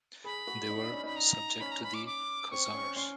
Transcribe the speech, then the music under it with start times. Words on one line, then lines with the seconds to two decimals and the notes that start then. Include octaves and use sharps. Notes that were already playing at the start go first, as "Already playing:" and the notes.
They were subject to the Khazars.
0.24 G#4 B5
0.47 F#4
0.70 D#4
0.82 D4
0.92 C#4
1.04 D#4 B5
1.16 A#5
1.60 C#4 B5
1.71 A#5
1.82 C#4 B5
1.94 D6
2.06 D6
2.51 C4 C#6
2.73 C#4
2.96 C#4 C6